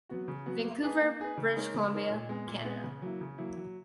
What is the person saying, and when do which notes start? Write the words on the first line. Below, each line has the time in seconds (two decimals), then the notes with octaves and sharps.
Vancouver, British Columbia, Canada.
0.09 F#3 B3 F#4
0.28 C#3
0.46 F#3 B3 F#4
0.64 A#3
0.83 D#4 G#4 B4
1.01 A#3
1.20 D#4 G#4 B4
1.37 C#3
1.56 G#3 D#4 A#4 C#5
1.74 C#3
1.93 G#3 D#4 A#4 C#5
2.10 A#2
2.29 G#3 B3
2.47 A#2
2.65 G#3 B3
2.84 C#3
3.02 F#3 A#3 E4
3.21 C#3
3.38 F#3 A#3 E4
3.57 F#3